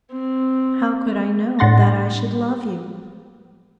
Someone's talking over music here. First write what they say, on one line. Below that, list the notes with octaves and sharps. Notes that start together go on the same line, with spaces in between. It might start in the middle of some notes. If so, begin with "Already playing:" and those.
How could I know that I should love you?...
C4
A2 D4 F#5 C6 A6 A#6